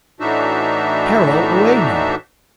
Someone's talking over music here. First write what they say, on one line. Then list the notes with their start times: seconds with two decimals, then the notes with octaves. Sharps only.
"Carol away, now!"
0.20 A2 E3 D4 D#4 F#4 E5